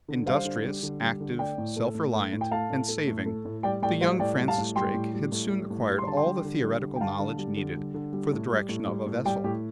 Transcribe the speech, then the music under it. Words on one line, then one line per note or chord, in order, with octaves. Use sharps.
Industrious, active, self-reliant, and saving, the young Francis Drake had soon acquired all the theoretical knowledge needed for the direction of a vessel.
D3
G3 C5 F5
D3
G3
D3
G3
D3
A3 D5 G5
A2
A3
A2
A3
A2
G5
A3 F5 A5
A2
A3
A2
A3
A2
G3 D5 G5
A2 D5 G5
G3 C5 F5
A2 D5 G5
G3
F5 A5
A2
G3 G5 C6
A2
G3
A2
G3
A2
G3
C6
D3 A5
G5 C6
G3
D3
G3
D3
G5
G3 F5 A5
D3
G3
D3
G3
D3
G3
A2
G3
A2
G3
A2
G3 D5 G5
A2 G4